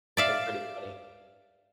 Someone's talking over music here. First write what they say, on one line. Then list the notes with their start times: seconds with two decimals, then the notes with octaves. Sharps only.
It's pretty funny.
0.17 D5 E5 F5